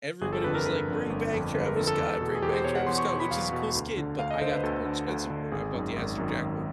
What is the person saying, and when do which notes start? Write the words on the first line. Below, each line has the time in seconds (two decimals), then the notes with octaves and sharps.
Everybody was like, "Bring back Travis Scott. Bring back Travis Scott," which is a cool skin, but I got the more expensive one. I bought the Astro Jack one.
0.22 G1 G#4
0.33 A4
0.44 F2 D3 B4
0.55 A#4
0.66 G1 B4
0.88 F2 D3
1.10 G1
1.32 F2 D3
1.54 G1 B4
1.65 A#4
1.76 D3 A4
1.80 F2
1.87 A4
1.98 E2
2.21 B2
2.35 G#4
2.42 E2 G4
2.53 C5
2.64 B2 C#5
2.76 F#5
2.87 E2 C6
2.98 C#6
3.09 B2 C6
3.20 B5
3.31 E2 F5
3.53 B2
3.75 D2
3.97 D3
4.19 D2 F5
4.31 D#5
4.41 D3 C5
4.52 B4
4.63 D2 A4
4.85 D3
5.08 D2
5.30 D3
5.52 G#1 G#4
5.74 F#2 D#3
5.96 G#1
6.18 F#2 D#3
6.40 G#1